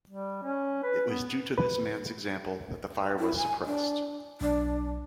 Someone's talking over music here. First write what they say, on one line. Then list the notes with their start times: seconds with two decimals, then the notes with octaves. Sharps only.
It was due to this man's example that the fire was suppressed.
0.10 G3
0.43 C#4
0.83 B4
1.08 B3
1.58 B4
3.19 E4
3.37 G#5
3.66 D4
4.41 B1 D4